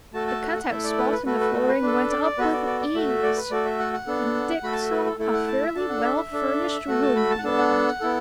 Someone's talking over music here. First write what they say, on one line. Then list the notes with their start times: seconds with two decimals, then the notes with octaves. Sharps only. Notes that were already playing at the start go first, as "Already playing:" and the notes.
The cut-out spot in the flooring went up with ease and Dick saw a fairly well furnished room beyond.
0.13 A3 F#4 A4 A5
0.27 A5
0.42 F#5
0.56 F#5
0.69 A3 E4 A4 E5
0.84 D5
0.98 B4
1.12 B4
1.26 A3 F#4 A4 B4
1.40 B4
1.54 A4
1.68 B4
1.82 D4 A4
2.10 D5
2.24 D5
2.38 B3 F#4 A4 B4
2.53 D5
2.66 D5
2.81 D5
2.94 A3 F#4 A4 E5
3.09 E5
3.23 D5
3.36 B4
3.51 A3 F#4 A4 D5
3.65 E5
3.79 F#5
3.93 F#5
4.07 B3 D4 A4
4.63 A3 F#4 A4 B5
4.72 A5
4.82 E5
4.91 B4
5.05 A4
5.19 A3 E4 A4
5.33 F#5
5.47 A5
5.62 E5
5.75 D4 A4 A5
5.89 F#5
6.04 E5
6.17 E5
6.32 D4 A4
6.88 A3 F#4 A4 F#5
7.02 A5
7.16 B5
7.30 A5
7.38 F#5
7.44 B3 D4 A4 A5
7.58 F#5
8.00 B3 E4 A4